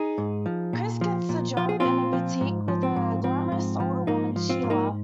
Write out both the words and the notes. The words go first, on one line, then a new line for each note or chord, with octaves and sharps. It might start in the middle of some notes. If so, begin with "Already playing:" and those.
Chris gets a job in a boutique with a glamorous older woman, Sheila.
Already playing: D#4 G#4
G#2
F3
A#2
F3
A#2
F3 F4
G#4
A#2 C4 F4
F3
G#2
F3
C4
G#2
F3 C4
G#2
F3
G#2 A#3 D#4
F3
C4 F4
G#2
A#3 D#4